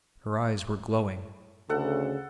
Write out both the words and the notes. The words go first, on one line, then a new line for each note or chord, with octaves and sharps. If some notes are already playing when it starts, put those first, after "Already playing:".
Her eyes were glowing.
D2 C#3 A4 F#5